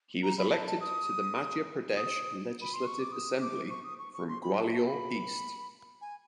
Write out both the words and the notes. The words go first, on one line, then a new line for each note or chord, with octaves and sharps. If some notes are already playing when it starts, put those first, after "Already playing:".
He was elected to the Madhya Pradesh Legislative Assembly from Gwalior East.
A#5
B5
A5
A5
D#6
D#6
B5
C6
C#6
D6
D#6
D6
C#6
D#6
C#6
C#6
C6
B5
A5
A5
B5
G#5